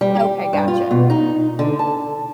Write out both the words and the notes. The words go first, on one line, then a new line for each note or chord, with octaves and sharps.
Okay, gotcha.
G3
G4
G2
F4
B2
D#4
D3
A5